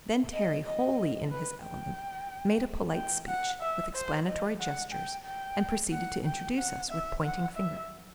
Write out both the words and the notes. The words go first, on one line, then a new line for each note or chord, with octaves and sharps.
Then Terry, wholly in his element, made a polite speech, with explanatory gestures, and proceeded to introduce us, with pointing finger.
D#5
D#5
B4
G5
G5
F#5
E5
C5
D#5
F#5
G5
G5
F#5
G5
F#5
E5
F#5
E5